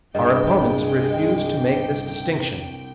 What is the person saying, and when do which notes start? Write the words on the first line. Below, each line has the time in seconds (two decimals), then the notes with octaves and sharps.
Our opponents refuse to make this distinction.
0.15 C2 G2 G#3 D#5 G5